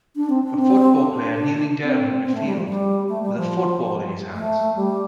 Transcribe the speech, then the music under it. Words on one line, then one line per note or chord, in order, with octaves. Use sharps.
A football player kneeling down in a field with a football in his hands.
D4
C4
D4
C4
D4
C4
C4
A3
G3
F3
G3
A3
G3
F3
A3
G3